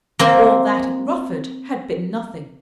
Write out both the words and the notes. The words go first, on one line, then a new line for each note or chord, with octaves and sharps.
All that at Rufford had been nothing.
A#3 C4